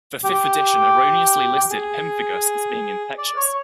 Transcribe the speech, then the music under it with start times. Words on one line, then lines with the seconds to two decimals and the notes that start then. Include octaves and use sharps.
The fifth edition erroneously listed pemphigus as being infectious.
0.24 G4
1.70 G#4
3.18 D5
3.36 C#5